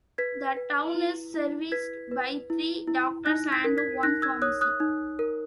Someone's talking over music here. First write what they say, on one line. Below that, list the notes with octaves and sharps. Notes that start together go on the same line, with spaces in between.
The town is serviced by three doctors and one pharmacy.
B4 G#6 B6
B4
E4
E4
B4 G#6 B6
B4
E4
E4
D#4 F#6 A#6
G#6 B6
A#4
G#6 B6
D#4 F#6 A#6
E6 G#6
C#5 D#6 F#6
D#6 F#6
D#4
A#4